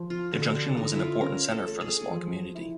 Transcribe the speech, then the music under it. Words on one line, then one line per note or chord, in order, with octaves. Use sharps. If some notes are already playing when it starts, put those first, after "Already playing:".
The junction was an important centre for the small community.
Already playing: F3
F4
D3 F#4
D4
D3 D#4
E4
F4
C#4 A#4
A4
A3
G#4
F3
E4